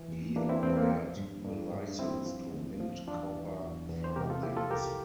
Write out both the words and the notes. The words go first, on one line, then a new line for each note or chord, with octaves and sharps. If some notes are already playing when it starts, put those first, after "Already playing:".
He acquired the licence to mint copper farthings.
Already playing: E3
E2
E3 A#3 D4
C4 E4
E2 A3 C4
A#3
F3
G2
G2
G2
D2 C4 E4
F3
D2
F3
E2 D4 F4
E3
E2
E2
C5
C3 G4 A#4
F4 A4
F3 E4 G4
F4 A4
C2 G4 A#4